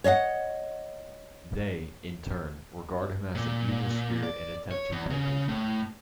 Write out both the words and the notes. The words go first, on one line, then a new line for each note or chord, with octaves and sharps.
They, in turn, regard him as an evil spirit and attempt to placate him.
C#5 D#5 E5 F#5
A#2
D5
C#5
E2
C#3
A2